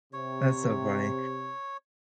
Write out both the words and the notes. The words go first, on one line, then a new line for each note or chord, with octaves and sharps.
that's so funny.
C3 C#5